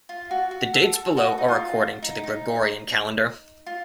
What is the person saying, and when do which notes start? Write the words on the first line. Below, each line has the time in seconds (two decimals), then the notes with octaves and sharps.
The dates below are according to the Gregorian calendar.
0.09 F4
0.31 F#4
0.51 F#4
0.73 A4
0.94 A4
1.17 F#4
1.38 D#4
1.48 F4
2.02 D#4
2.24 D#4
3.66 F4